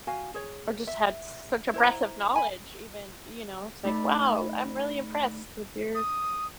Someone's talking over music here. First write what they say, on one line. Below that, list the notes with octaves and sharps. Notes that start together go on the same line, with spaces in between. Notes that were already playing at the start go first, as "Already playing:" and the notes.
Or just had such impressive knowledge even, you know, it's like, "Wow, I'm really impressed with your
F#4 F5 G#5
G#4 C#5
E5
E4 C5 A#5
G#5 B5
A3 D#4 D5 B5
D#6